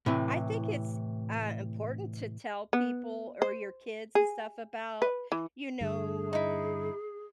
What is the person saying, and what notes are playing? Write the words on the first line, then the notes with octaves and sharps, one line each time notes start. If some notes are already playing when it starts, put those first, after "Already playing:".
I think it's, uh, important to tell people or your kids and stuff about, you know,
A2 C3 E3
B3
C5
G#4
B4
E3
G2 D3 G#4
D#4 E4